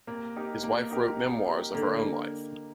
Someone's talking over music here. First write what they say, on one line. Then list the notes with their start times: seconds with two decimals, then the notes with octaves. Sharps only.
His wife wrote memoirs of her own life.
0.07 C3 A#3
0.36 D#4 G4 A#4
0.63 A#3
0.91 D#4 G4 A#4
1.19 C3 A#3
1.47 D#4 G4 A#4
1.74 D3 A#3